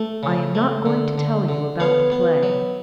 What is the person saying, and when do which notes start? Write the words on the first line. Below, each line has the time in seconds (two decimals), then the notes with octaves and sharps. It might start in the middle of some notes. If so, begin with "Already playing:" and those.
I am not going to tell you about the play.
Already playing: A3
0.23 C#3
0.55 A3
0.86 D3
1.18 D3
1.49 D3
1.80 B3 C#5 F5
2.12 B3
2.43 F#3